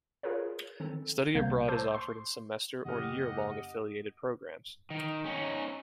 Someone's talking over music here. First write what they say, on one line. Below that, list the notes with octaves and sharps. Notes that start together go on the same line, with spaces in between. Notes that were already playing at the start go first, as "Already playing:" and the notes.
Study abroad is offered in semester- or year-long affiliated programs.
F4 G#4 A#4 B4 C#5
D#3 C4 A4
C2 C3 G3 A#3 F5 G6
C5 A5 C6 D6 E6 G6
C6
F#1 G4 D#5 F#5 F6
D#3
C#4 D#4